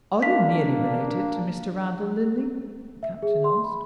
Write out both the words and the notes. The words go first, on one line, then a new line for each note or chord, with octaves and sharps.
"Are you nearly related to Mr. Randal Linley?" the Captain asked.
A#3 D4 F5 B6
E5
G#4
C6
B5